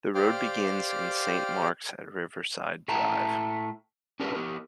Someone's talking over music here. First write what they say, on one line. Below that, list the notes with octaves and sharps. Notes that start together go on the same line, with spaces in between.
The road begins in Saint Marks at Riverside Drive.
G4 C5 D5 F5 G5 F6
A2 A3 G5 A5 A#5
C#4 D4 G4 A#4 B4
B3 G4 A#4